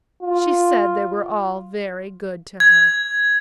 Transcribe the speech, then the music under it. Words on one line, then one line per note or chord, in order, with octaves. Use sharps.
She said they were all very good to her.
F4
G#6